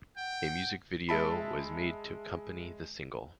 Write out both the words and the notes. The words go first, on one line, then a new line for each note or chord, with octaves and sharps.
A music video was made to accompany the single.
F#5 G5
G#3 E5 A5 B5